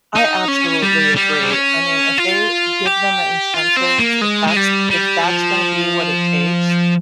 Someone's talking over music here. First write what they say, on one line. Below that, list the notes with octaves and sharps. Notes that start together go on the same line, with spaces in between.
I absolutely agree, I mean, if they give them incentives, if that's if that's gonna be what it takes,
D#4
C#4
G3
G3
C4
C#4
F4
G4
F4
C4
A#3
G#3
G#3
G3
G3
F3